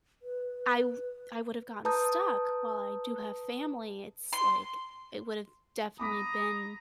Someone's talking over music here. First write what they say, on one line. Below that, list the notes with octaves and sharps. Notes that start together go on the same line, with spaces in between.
I w I would have gotten stuck while I do have family, it's, like it would have definitely been
B4
B4 A5 A#5 D#6 G6
C6
A#5 B5 D6 D#6 B6